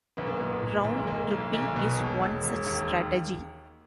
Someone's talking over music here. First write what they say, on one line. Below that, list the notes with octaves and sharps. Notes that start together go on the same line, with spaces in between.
Round-tripping is one such strategy.
B1 B3
A#3
A#2 B3
A#2
B1
G#3
B1 A#3
B1
B1
B2
E1
E1
E1
D#2